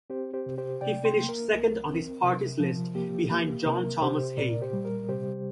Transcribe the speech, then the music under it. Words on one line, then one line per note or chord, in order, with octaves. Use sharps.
He finished second on his party's list, behind John Thomas Haig.
C4 G4 C5
G4 C5
C3
G4 C5
C3 D5 G5
G5 C6
A#3
A#4
C2
C4
C3
F3
A#3 G4
A#3
C3 A#4
C3 G4 C5
A#2 A#4 D5
G4 C5
G3
A#4
C3 G4 C5